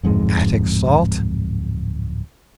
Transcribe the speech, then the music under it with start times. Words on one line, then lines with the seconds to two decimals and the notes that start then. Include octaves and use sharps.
"Attic salt?"
0.03 D1 F2 G#2 G#3